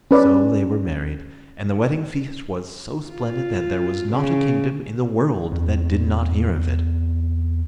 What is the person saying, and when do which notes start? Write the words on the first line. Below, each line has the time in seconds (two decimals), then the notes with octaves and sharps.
So they were married, and the wedding feast was so splendid that there was not a kingdom in the world that did not hear of it.
0.11 C#4 B4 D5
3.10 F4
4.12 C#3
5.52 E2 C4